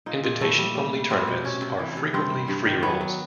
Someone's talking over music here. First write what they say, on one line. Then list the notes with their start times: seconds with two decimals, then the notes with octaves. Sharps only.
Invitation-only tournaments are frequently freerolls.
0.06 A#2 D#4
0.24 A#2
0.41 G3 A3
0.58 G3
0.75 G3
0.94 G3
1.10 G3 C4
1.28 B2
1.44 C3 C#4
1.62 C3
1.79 E3
1.97 C3
2.14 G2 C4
2.31 G3
2.48 G2
2.65 D#3
2.83 F#3 B3
3.01 F#3